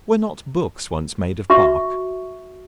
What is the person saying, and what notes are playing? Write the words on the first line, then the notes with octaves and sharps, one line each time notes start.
Were not books once made of Bark?
F#4 E5 C#6